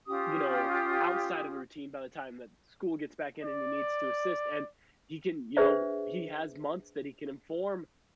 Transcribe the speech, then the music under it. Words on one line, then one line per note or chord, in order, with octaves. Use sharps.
you know, outside of the routine by the time that school gets back in and he needs to assist, and he can, you know he has months that he can inform
C#4 F4 G4 D#6
D5
D4 G#4 B4 C5 D5 E5